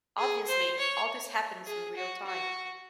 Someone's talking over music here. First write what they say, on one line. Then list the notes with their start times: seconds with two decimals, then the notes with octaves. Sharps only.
Obviously, all this happens in real-time.
0.18 G#4
0.48 C5
0.78 C#5
1.66 G#4
1.96 F#4
2.26 F#4